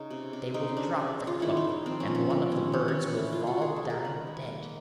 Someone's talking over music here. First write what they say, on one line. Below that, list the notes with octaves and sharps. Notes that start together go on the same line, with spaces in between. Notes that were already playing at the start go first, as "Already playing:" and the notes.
They will drop the cloak, and one of the birds will fall down dead.
Already playing: C#3 D#4
C3
C3
C#3 D#4
C#3 D4
C#3
C#3
F4
D#3 E4
D#4
D#3
F3 C4
C#4
F3
C#4
B3 C4
D#3 C#4
E3 C#4
C#4
E3
D3 E4
F4
G3
F#4
G3 G#4
A4
G3
A#4
D#3 B4
G#3
A#3